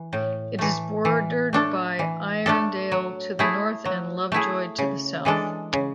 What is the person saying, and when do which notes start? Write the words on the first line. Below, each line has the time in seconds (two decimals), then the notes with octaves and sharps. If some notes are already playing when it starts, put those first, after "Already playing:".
It is bordered by Irondale to the north and Lovejoy to the south.
Already playing: E3
0.13 A2
0.59 E3 A3
1.05 E3
1.53 A3 D4 A4
1.99 E3
2.46 A3 D4 A4
2.92 F#3
3.39 A3 E4 G#4
3.85 F#3
4.32 A3 E4 G#4
4.78 C#3
5.25 E3 G#3 D4 A4
5.73 C#3